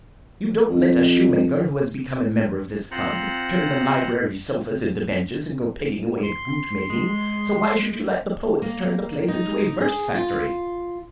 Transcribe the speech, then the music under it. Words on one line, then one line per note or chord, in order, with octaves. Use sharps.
You don't let a shoemaker who has become a member of this club turn the library sofas into benches and go pegging away at boot-making, so why should you let the poets turn the place into a verse factory?
F2
C4 F4 C5 F#5 A#5 F#6
C6
G#3
A#3
D#4
G#4
F4